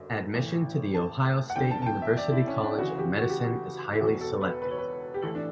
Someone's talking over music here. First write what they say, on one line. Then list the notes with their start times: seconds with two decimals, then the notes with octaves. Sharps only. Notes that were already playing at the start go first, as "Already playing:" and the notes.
Admission to The Ohio State University College of Medicine is highly selective.
Already playing: G1 F#2 D3
0.34 A1 A2 E3
0.94 A5
1.50 F#5
1.56 E1 E2 D3 G5
1.71 A5
1.82 A5
1.86 G5
2.02 E5
2.17 D5
2.32 E4
2.47 C#4
2.63 D4
2.78 D2 C#3 E3 F#4
2.99 G4
3.19 F#4
3.29 G4
3.39 F#4
3.95 E4
4.00 E1 E2 B2 F#4
4.21 A4
4.41 B4
4.62 B4
4.70 C#5
4.78 B4
5.14 G4
5.22 A1 A2 E3 A4
5.35 D4